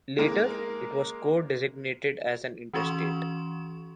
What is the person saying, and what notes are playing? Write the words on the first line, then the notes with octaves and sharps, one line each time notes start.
Later, it was co-designated as an Interstate.
G#3 A#3 A#4
E3 C#4 F#4 C6 C#6 E7